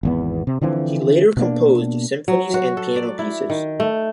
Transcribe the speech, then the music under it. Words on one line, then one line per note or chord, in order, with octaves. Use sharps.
He later composed symphonies and piano pieces.
G#1 E2 B3
C3
D3 E3 F3 C4
B2 A#3 D4
F#3
F#4
A4
D5
E4
D#3
A3